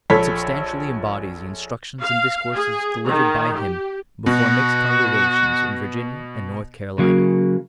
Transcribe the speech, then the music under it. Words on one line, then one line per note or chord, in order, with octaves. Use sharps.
It substantially embodies the instructions and discourses delivered by him before mixed congregations in Virginia and North Carolina.
A#1 A4 C#5 B5 B6
F5
G#4
D#3
G4
B2 F#4
C#3 F#3 A#3